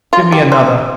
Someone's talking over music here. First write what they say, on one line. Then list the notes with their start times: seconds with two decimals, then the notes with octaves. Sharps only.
"Give me another!"
0.13 F4
0.32 G4
0.52 C5